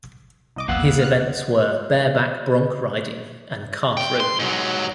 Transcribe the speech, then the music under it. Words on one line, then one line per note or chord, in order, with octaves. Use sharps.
His events were bareback bronc riding and calf roping.
C2 D#5 D6
A#1 E2 A#3 F5 F#5 E6
F6 F#6
F2 G5
C6
G#2 F#3